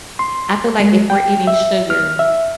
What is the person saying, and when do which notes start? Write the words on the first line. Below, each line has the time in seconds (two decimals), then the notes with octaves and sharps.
I feel like if we're eating sugar
0.19 C6
0.80 G#3
1.10 G5
1.47 E5
1.90 F6
2.19 E5